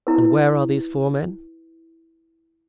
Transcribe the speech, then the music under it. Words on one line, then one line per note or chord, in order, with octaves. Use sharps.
"And where are these four men?"
E4 B4